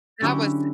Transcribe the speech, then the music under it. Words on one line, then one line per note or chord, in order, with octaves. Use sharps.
That was
D3 F#3 C#4 E4 G4